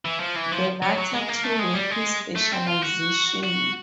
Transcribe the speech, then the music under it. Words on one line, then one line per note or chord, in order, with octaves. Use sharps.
The latter two were his specialization.
E3
F3
E3
F3
F#3
F#3
G#3
A#3
A3
G#3
G3
G#3
A3
C4
F4
F#4
F#4